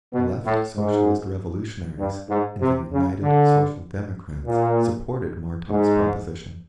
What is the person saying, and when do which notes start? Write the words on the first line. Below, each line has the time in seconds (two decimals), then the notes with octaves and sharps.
The Left Socialist Revolutionaries and the United Social Democrats supported Martov's proposition.
0.13 B2
0.45 A2
0.75 G#2
1.99 G2
2.30 G#2
2.60 C3
2.92 C#3
3.22 D3
4.46 A#2
5.70 G#2